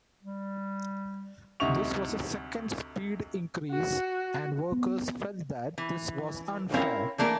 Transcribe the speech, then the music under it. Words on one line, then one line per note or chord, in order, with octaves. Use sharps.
This was a second speed increase, and workers felt that this was unfair.
G3
D2 C3 D#4 E5 C#6 F7
F#4
B3
E3
C4 C#4 E4 A#4 C#5 F5
E3 A3 A#3 D4 A4 A#4